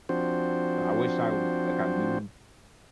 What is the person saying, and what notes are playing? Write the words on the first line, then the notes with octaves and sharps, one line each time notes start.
So, I wish I would like, I knew
F3 C4 D4 F#4 C5